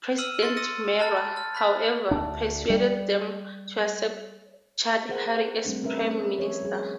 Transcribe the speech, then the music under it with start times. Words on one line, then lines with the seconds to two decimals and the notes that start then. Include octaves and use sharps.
President Mara, however, persuaded them to accept Chaudhry as Prime Minister.
0.18 E6 F6 D#7 E7 F#7
0.43 C6 A6 C#7
0.56 D#6 E6 A#6 C#7 D#7
0.98 G#5 A5 B5 F6 A6
1.36 F6 A6
1.55 B5 F#6 B6
2.11 D2 D4
2.70 G3
5.09 G#4 A#4 C5 F#5
5.65 G3 A3 C4 D4
5.84 C#4 A#4 B4 E5
6.01 C#4
6.38 F3 C#5
6.62 G3 G#4